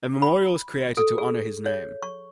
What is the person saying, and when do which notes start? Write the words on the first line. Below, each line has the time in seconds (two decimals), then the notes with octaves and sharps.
A memorial was created to honor his name.
0.22 B5
0.97 A4
1.18 G#4
1.66 C#5
2.02 C#6